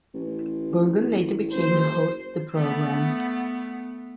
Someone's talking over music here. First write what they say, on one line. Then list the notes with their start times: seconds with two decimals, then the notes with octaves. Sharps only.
Bergen later became the host of the program.
0.14 A1
1.54 F#1 C5
2.55 A3 B3